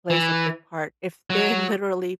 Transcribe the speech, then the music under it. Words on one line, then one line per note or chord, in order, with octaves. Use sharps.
plays a big part if they literally,
E3
F#3